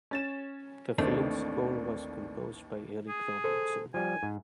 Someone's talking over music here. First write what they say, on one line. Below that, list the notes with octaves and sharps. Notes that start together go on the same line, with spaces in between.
The film's score was composed by Eric Robertson.
C#4 A6 E7
A1 D#2 D#3 A3 C4 D4
G#4
A4 C5
F3 G3 G#5
G#2